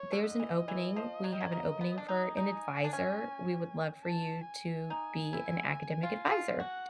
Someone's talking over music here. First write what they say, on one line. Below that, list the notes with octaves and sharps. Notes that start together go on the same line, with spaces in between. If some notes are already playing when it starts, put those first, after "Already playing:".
there's an opening, we have an opening for an adviser, we would love for you to be an academic adviser,"
Already playing: C#5
D3
D#5
E3
E3
F3
F#3
G3
F#3
A#3
B3
D4
D#4
D#4 G#5
D4
C#4
A5
G#5
D#4
E4
F4
F4
F#4 F#5